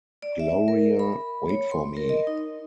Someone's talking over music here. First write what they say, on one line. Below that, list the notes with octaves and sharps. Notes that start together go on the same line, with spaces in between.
Gloria, wait for me!
D5
E5
A#4
B5
C#5
C6
A#4
D#5
D#4